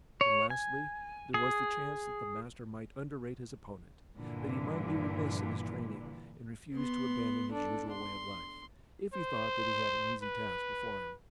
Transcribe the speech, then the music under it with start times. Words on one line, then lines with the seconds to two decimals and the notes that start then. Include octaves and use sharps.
And, lastly, there was the chance that the Master might underrate his opponent, that he might be remiss in his training, and refuse to abandon his usual way of life, if he thought that he had an easy task before him.
0.21 C#5
0.50 G#5
1.34 G#4
4.16 G2 A#2 D3 E3
6.74 B3 C6
7.52 D4 A4
7.91 C6
9.14 C5
10.23 B4